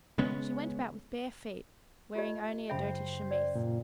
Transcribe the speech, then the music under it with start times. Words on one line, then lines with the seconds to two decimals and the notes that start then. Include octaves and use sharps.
She went about with bare feet, wearing only a dirty chemise.
0.18 C#3 G#3 B3 C#4
2.15 F4 G4 D#5
2.70 F#2 C#3 C5 E5 G5 B5
3.31 D5
3.55 A#2